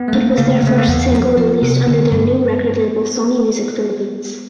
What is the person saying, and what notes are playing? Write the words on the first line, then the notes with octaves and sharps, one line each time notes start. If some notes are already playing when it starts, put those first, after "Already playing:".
It was their first single released under their new record label Sony Music Philippines.
Already playing: B3
A3
G#3 A#3
C#3 A#3
C#3 A3
A#3
E2 B3
F3
F3
C3
D3
G2